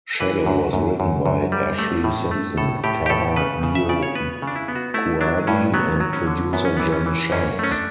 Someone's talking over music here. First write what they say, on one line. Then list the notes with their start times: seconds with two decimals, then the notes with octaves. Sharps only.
"Shadow" was written by Ashlee Simpson, Kara DioGuardi and producer John Shanks.
0.15 A4
0.20 E3 B4
0.46 F#2
0.73 F#2
1.00 F#2
1.26 F#2
1.52 G3
1.79 A3
2.04 A2
2.31 A3
2.58 A2 A4
2.84 A2 G4
3.06 G4
3.10 A2 A4
3.36 C#3 B4
3.63 C#3
3.75 E5
3.89 C#3 D5
4.03 C#5
4.15 B3 B4
4.42 C#3
4.47 D4
4.56 E4
4.68 B3
4.75 F#4
4.94 A3 E4
5.21 F#3 D4
5.47 G2 C#4
5.74 F#3 B3
6.00 F#3
6.13 C#4
6.27 D3
6.53 F#2 B3
6.65 C#4
6.77 E3 B3
6.93 C#4
7.06 E3
7.32 F#2 C#4
7.59 A3 C#4
7.72 D4